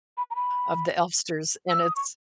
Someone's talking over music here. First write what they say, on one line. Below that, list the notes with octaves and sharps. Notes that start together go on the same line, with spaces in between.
of the Elfsters and it's
B5
A#5
B5
E6
D#6
C#6